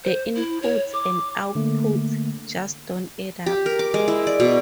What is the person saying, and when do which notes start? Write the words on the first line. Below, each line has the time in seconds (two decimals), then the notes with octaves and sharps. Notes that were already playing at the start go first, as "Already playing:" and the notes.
The inputs and outputs just don't add up.
0.04 C5
0.36 E4
0.62 C#5
0.94 D6
1.55 D3 A3 A#3
3.46 G4
3.66 A#4
3.79 D6
3.94 G#3
4.08 E4
4.27 D5
4.40 B2